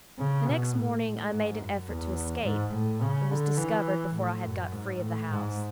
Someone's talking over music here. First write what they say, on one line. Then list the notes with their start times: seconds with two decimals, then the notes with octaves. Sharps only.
The next morning I made an effort to escape, and was discovered before I had got free of the house.
0.18 C#3
0.47 B2
0.74 A2
1.03 A2
1.31 G#2
1.60 F#2
1.88 E2
2.44 G#2
2.74 A2
3.02 C#3
3.31 D3
3.58 E3
4.15 A2
4.43 F#2
4.72 G#2
5.00 A2
5.29 G#2